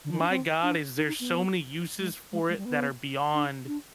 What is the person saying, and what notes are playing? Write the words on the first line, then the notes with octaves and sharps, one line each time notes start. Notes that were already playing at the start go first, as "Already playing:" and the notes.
my god, is there's so many uses for it that are beyond,
D3
D#3
D4
C4
D4
D#4
D#4
B3
G#3
G#3
G#3
G3
B3
D4
D4